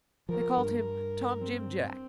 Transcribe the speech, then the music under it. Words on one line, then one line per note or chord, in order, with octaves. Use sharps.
They called him Tom-Jim-Jack.
F3 A#4
G2 A#4
C4